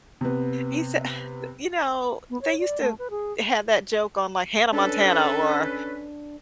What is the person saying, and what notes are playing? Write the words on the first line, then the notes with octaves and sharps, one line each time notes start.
He said, "Eh you know, they used to have that joke on, like, Hannah Montana or
C3 B3
B3
C#5
D5
A3
B4
G#4
C#4 D4 A4 B4